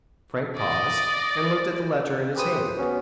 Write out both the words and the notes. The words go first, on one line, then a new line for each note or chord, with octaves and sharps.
Frank paused, and looked at the letter in his hand.
D5 D#5
G4 G#4 B4 C5 D#6
B3 C#4 F#4